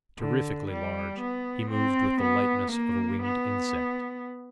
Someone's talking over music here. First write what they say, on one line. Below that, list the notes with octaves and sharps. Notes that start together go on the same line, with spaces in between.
Terrifically large, he moved with the lightness of a winged insect.
D3
G3
B3
C4
B3
A#3
B3